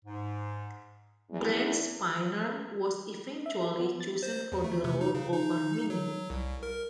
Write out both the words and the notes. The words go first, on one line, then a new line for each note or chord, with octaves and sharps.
Brent Spiner was eventually chosen for the role over Menyuk.
G#2
E2
E5
A4
B3
A6
C5
E2
A3
C3
D#4
C#3
D#4
F#3
C2
A#4